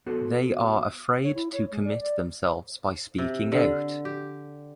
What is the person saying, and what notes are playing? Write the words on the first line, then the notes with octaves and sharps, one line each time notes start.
They are afraid to commit themselves by speaking out.
B3 F#4 A4 C5
C#5
E4
C#5
G#3
D5
D5
C3
D3
G4